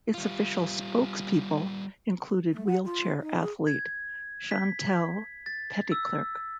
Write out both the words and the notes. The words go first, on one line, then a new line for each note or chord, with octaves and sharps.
Its official spokespeople included wheelchair athlete Chantal Petitclerc.
G3 F4
A3
F#5
F4
D#4
G#4
G#6
B6
A6
E6